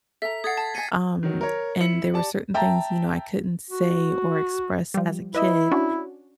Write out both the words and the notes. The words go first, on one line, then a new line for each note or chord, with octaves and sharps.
um, and there were certain things, you know, I couldn't say or express as a kid,
A4 E5 A#5 B6
A4 F#5 D#6 G#6 A6 C7
A5
D#5 G#5 B6 C#7 D#7
D#3 F#3
A#4 C#5
E4 C#7 F#7
G4 D5 A5
E5 G5 A5 A#5
F#4
F3 G3
E4 B4 D#5 E5
C#4 D4 F#4